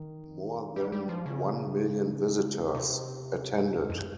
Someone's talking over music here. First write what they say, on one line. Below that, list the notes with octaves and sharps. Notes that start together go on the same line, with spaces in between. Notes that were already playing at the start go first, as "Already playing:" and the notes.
More than one million visitors attended.
Already playing: D#3
G3
G3
F3
C#3
C3
F2